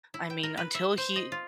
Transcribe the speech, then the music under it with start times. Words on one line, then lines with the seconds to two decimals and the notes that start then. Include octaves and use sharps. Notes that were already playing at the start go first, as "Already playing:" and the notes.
I mean, until he,
0.14 E4
0.30 G5
0.43 A#4
0.57 B4
0.75 E5
0.98 C5
1.16 D#5
1.32 F4